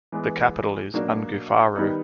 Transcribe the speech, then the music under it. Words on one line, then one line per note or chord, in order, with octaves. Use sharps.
The capital is Ungoofaaru.
E3 G#3 B3
B2 F#3 A#3 D4 F#4
D#3 G3 B3 D#4